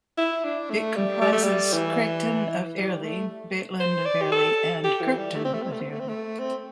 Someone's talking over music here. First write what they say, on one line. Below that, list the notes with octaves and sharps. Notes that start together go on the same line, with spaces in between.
It comprises Craigton of Airlie, Baitland of Airlie and Kirkton of Airlie.
E4
D4
A3
G3
G3
A3
G3
E3
G3
A3
C5
D5
G4
A4
G4
E3
G3
A3
C4
A3
C4
A3
C4
A3
C4
A3
C4